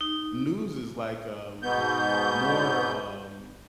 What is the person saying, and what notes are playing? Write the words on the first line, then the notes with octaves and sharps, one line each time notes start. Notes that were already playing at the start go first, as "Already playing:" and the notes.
news is, like, um, more, um,
D#4
G#2 B2 B3 G6